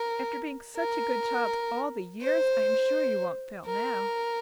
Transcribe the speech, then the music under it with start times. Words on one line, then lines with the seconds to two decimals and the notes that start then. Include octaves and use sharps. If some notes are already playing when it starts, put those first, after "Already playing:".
After being such a good child all the years, I am sure you won't fail now.
Already playing: A#4
0.77 A#4
2.21 C5
3.66 A#4